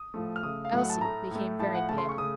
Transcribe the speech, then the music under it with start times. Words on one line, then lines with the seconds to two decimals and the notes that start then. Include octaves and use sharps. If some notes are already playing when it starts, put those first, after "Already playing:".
Elsie became very pale.
Already playing: D#6
0.14 A2 F3 A3
0.36 F6
0.43 C#3 A3 D#6
0.65 F5
0.72 A2 F#3 A3 F#5
0.90 A5
1.01 A2 A3 A#5
1.31 A2 A3
1.59 A2 F3 A3 A5
1.74 F#5
1.89 C#3 A3 A5
1.98 C6
2.09 C#6
2.18 C#3 A3 D#6